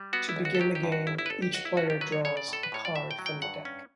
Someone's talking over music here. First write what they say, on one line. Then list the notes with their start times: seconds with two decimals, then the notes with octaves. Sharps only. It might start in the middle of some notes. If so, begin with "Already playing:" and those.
To begin the game, each player draws a card from the deck.
Already playing: G3
0.13 B3 F#4
0.29 E4
0.36 C#2
0.45 F#4
0.55 A4
0.60 F#3 G4
0.75 G4
0.84 G2
0.92 F#4
1.07 G1 E4
1.19 E4
1.26 B4
1.30 G1 A4
1.42 G4
1.54 C#2 F#4
1.65 E4
1.77 C#4 F#4
1.90 G4
2.01 F#3 B4
2.12 C#5
2.25 C#3 C#5
2.37 D5
2.48 A2 A4
2.63 B4
2.72 A2 C#5
2.85 D5
2.95 A2 E5
3.11 G5
3.19 F#3
3.26 G5
3.42 G2 F#5
3.65 C#4